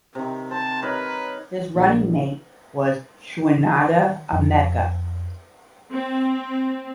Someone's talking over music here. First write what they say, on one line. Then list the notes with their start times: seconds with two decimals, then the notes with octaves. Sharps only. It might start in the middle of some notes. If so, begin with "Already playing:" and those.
His running mate was Chinedu Emeka.
0.15 C3 D#3
0.51 C5 A5
0.82 D#4 A#4 B4 C#5
1.75 A#1
3.58 D#3
4.33 F2
5.91 C4